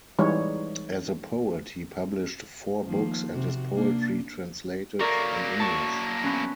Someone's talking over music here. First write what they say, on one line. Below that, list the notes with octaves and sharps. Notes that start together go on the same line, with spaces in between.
As a poet he published four books and his poetry translated in English.
E3 G3 G#3 D#4 C#5
D#3 F3 A#3
C3 F#4
A#3 D4
F#3 A#3 A#4 D5 C#6
A5 C#6
B3 C#4